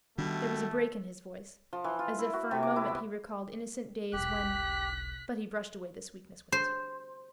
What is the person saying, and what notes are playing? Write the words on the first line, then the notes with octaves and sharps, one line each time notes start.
There was a break in his voice, as if for a moment he recalled innocent days when--but he brushed away this weakness with his hook.
B2 D#3 G3 A3 D4
F3
E3
F4
E4
F#4
C3
D6
E4
B3
E1 B1 G4 F#6 B6
C5